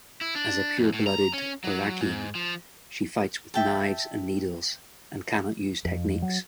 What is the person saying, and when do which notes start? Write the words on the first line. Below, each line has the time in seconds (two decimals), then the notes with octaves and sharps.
As a pure-blooded Orakian, she fights with knives and needles and cannot use techniques.
0.21 E4
0.35 D4
0.78 F2
0.93 A2
1.07 A#5
1.34 C#4
1.64 F#3
2.01 G#2
2.35 F3
3.54 E5 G5 A5
5.85 F2
6.22 F#3